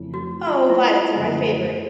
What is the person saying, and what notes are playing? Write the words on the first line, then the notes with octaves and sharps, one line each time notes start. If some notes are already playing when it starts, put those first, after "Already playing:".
Oh violets are my favourite!
Already playing: F2 C#3 E3 A3 C#4
F#4
F4
E4
E4
F#2 D3 F3 A3